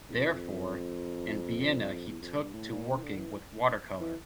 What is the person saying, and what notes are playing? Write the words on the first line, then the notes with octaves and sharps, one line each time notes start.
Therefore, in Vienna he took to working with watercolor.
E2
F2
E2
F2
G2
A2
A#2
C#3
E3
D3
E3
E3